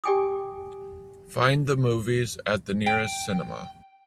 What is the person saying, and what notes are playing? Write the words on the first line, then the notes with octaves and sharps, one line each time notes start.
Find the movies at the nearest cinema.
G4 D5 G5 G#5 D6 D#6
G5